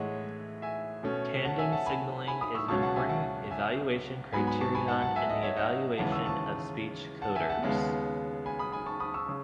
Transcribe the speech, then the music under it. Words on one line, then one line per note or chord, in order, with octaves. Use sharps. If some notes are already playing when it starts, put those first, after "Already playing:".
Tandem signaling is an important evaluation criterion in the evaluation of speech coders.
Already playing: A2 E3 G#3 G#4 C#5 D#5 E5 F#5
E5 G#5
B2 A3 C#4
F#5 A5
E5 G#5
F#5 A5
G#5 B5
G#5 B5
B5 D#6
C#6 E6
C#2 B2 F#3 C#4 A5 C#6
F#5 A5
E5 G#5
F#5 A5
E5 G#5
G#2 F#3 B3 G#5 B5
G#5 B5
A5 C#6
G#5 B5
F#5 A5
F#5 A5
E5 G#5
D#5 F#5
C#5 E5
D#5 F#5
D#2 C#3 E3 G#3 F#5 A5
C#6 E6
A5 C#6
F#5 A5
E5 G#5
F#5 A5
D#2 C#3 G#3 B3
G#5 B5
B5 D#6
G#5 B5
A5 C#6
B5 D#6
C#6 E6
C#3